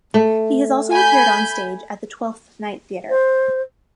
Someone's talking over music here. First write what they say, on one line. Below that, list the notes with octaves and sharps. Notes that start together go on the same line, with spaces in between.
He has also appeared on stage at the Twelfth Night Theatre.
A3
G#5 B5 G6
C5